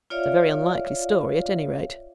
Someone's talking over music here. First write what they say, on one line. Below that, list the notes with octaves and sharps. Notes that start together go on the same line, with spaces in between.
It's a very unlikely story, at any rate.
F4 C#5 D5 E5 F5